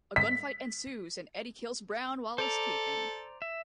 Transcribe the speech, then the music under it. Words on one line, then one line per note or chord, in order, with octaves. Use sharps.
A gunfight ensues, and Eddie kills Brown while escaping.
B6
A4 C5 D5 A#5
E5